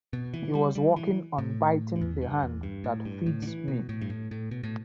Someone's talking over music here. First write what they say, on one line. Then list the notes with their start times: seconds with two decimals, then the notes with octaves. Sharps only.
He was working on Biting the hand that feeds me!
0.13 B2
0.34 E3
0.55 G3
0.75 G3
0.96 E3
1.38 A2
1.96 G2
2.01 E2
2.22 G2
2.43 E2
2.63 G2
2.84 A2
3.05 G2
3.26 A2
3.42 D3
3.47 E3
3.68 B2
3.89 A2
4.01 G2
4.10 A2
4.31 A2
4.51 B2
4.63 A2